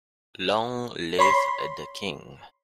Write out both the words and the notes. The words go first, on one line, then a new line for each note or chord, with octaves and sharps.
Long live the king.
C#5 B5 C6